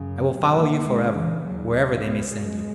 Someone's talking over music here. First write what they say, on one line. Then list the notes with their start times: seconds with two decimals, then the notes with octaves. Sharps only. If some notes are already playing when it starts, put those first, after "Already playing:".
I will follow you for ever, wherever they may send you.
Already playing: F#2 C#3
0.30 C#2 B2 F#3
0.59 A#3
0.86 C#2 C#3 G#3
1.14 E3
1.42 D#2 C#3 F#3
1.71 G#3
1.99 C#2 B2 B3
2.26 G#3